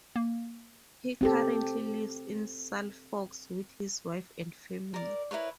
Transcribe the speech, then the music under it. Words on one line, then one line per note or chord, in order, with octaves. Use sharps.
He currently lives in Suffolk with his wife and family.
A#3
C4 G4 A4
A#4 D5
E4 A#4 B4 C#5